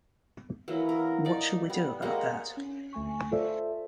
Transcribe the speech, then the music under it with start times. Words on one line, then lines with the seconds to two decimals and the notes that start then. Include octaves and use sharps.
What shall we do about that?
0.68 E3 F#3 A#3
0.89 A#4
1.25 D#4 D5
1.70 G3 B3
2.02 G#3 A#3 F#4 G4
2.57 C#4
2.93 D2 A3 G#5 C#6
3.31 F4 A4 C5 D5 E5